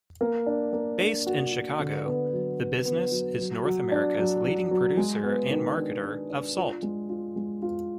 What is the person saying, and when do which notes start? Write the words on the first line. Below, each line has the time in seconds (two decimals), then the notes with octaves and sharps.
Based in Chicago, the business is North America's leading producer and marketer of salt.
0.21 A#3
0.46 D4
0.73 A#3
1.00 D4
1.27 F#4
1.53 F#4
1.79 D3
2.05 B3
2.33 F#3
2.58 B3
2.85 B3
3.12 F#3
3.39 F#3
3.64 F#3
3.92 D4
4.18 F#3
4.45 F#3
4.71 F#3
4.97 G#3
5.23 B3
5.50 D#3
5.77 D4
6.03 D4
6.30 D4
6.56 F4
6.83 G#3
7.09 F4
7.36 G#3
7.62 F4